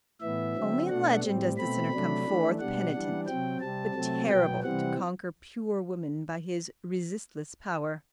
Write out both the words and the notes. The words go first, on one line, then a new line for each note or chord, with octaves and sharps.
Only in legend does the sinner come forth penitent, but terrible, to conquer pure woman by his resistless power.
A2 E3 B3 E5
D3 F#3 C4
B2 A3 D4 F#5
A2 G3 C4
B2 A3 C4 B5
C3 F#3 A3 D4
E3 A3 D4
B2 G3 D4 F#5
E3 G3 D4
C3 F#3 C4 G5
C3 G3 C4 A5
C3 F#3 A3 C4
B2 F#3 B3 G5
C3 E3 G3 C4 F#5